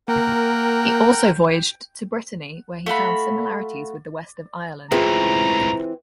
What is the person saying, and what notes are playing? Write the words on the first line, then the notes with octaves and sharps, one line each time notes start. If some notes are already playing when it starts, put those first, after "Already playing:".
He also voyaged to Brittany where he found similarities with the west of Ireland.
A#3 A#4 F#5 G5
A3 F4 F#4 B5
C#2 A2 E3 C4 F4 G#4 A#5